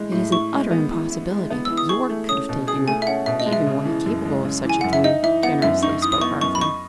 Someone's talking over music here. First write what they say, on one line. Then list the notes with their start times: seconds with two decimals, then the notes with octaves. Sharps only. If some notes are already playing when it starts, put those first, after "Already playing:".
"It is an utter impossibility that Yorke could have taken it, even were he capable of such a thing," generously spoke Arthur.
Already playing: A2 E3 G#3
0.12 A2
0.32 E4 C#6
0.52 G#3
0.71 B3
0.91 E3
1.10 E4
1.30 G#3
1.50 B3
1.65 E3 E6
1.77 D#6
1.89 G#4 C#6
2.09 A3
2.29 C#4 D#6
2.49 B2
2.67 G#4 D#6
2.87 A3 G#5
3.02 E5
3.07 C#4 F#5
3.26 B2 E5
3.40 D#5
3.46 G#3
3.53 E5
3.66 C#3
3.85 E3
4.06 F#2
4.25 G#3
4.45 C#3
4.65 E3 G#5
4.81 F#2 F#5
4.93 E5
5.04 D#4 D#5
5.23 E3 E5
5.43 B3 F#5
5.62 F#2 E5
5.83 D#4 C#6
6.02 E3 D#6
6.12 D#6
6.21 B3 C#6
6.41 F#2 C#6
6.55 B5
6.61 D#5 C#6